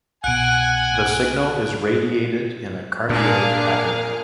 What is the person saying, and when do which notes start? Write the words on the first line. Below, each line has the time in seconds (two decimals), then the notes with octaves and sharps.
The signal is radiated in a cardioid pattern.
0.24 C2 B2 F#5 G#5 F#6 D7
3.09 A#2 D4 G#4 A#4 F5